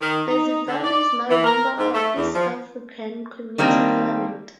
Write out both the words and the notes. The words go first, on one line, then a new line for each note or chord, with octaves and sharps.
Bazivamo is now a member of east african community parliament.
D#3
D#4
D3
D5
E3
A#4
G#2
A3
E2
F3
D#3 G3 A#3 C4 D4